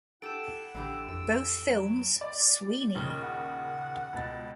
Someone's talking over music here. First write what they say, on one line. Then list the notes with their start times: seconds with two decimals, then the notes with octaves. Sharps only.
Both films, Sweeney!
0.22 E4 G4 A4 F#5 D7 E7
0.75 A1 D3 E3 G4
1.09 F2 A2 D4 E6 D7
1.68 F#3
2.21 D5
2.95 D#2 A#2 C#3
3.23 F#5
4.13 C#2 B2 A6